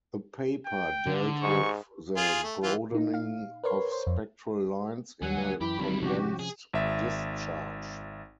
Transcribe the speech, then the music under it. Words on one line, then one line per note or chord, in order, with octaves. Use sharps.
The paper dealt with the broadening of spectral lines in a condensed discharge.
G5
D3
G#2 C#6
F4 G#4
A3
E3 F4
A#2 D#4
F5
A#4 B4 C#5 C6
C5
F2
D#2 F#3 F#5 G#5
D2
F#2 E3 G4 B5
G#1 D2 F#3 G3
C3 F3 C#4 F#4 G4
G#4
G#1 E5